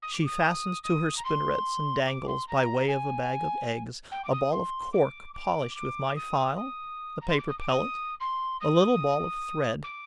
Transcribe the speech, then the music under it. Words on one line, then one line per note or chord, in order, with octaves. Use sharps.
She fastens to her spinnerets and dangles, by way of a bag of eggs, a ball of cork polished with my file, a paper pellet, a little ball of thread.
D#6
D6
D#6
D#6
A#5
C6
D6
C6
A#5
G#5
G5
D6
D#6
C6
D6
D6
D6
D#6
D#6
A#5
C6
D6
D#6
D6
D#6
C6
D#6
D6